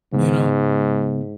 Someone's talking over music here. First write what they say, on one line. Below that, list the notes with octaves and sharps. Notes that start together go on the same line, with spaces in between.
You know
G#2 C#3 G#3 B3